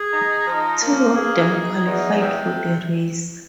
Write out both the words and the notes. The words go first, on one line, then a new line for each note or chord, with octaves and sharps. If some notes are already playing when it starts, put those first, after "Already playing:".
Two of them qualified for the race.
Already playing: G#4
D#4
F3
A#3
G#4
D#4
E2
C3